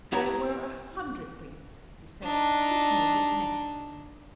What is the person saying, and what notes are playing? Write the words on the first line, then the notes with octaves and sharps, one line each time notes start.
There were a hundred things, he said, which made it necessary.
B3 E4 G4 C#5 A5 A#5
D4 D#4